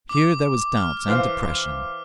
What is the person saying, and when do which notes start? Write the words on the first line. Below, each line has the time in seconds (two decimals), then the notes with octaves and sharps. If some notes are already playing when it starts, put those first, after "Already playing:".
Here there was doubt and depression.
0.09 D6
0.77 F6
1.08 E3 C5 F5